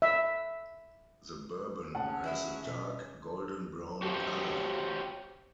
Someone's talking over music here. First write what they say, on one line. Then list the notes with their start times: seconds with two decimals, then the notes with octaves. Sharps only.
The bourbon has a dark, golden-brown color.
0.02 E5
1.95 C#4 G#4 F#5 A5
2.24 F#3 E4 F#4
2.65 B2
4.02 F#4 G4 C5 C#5 G5 A5